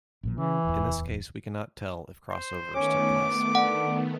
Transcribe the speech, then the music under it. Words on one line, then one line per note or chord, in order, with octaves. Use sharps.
In this case we cannot tell if crossovers took place.
A1 A#2 F3
C#3 E3
D1 E2
C5
D#3 A3 B3 C#4 D6
D3 F#5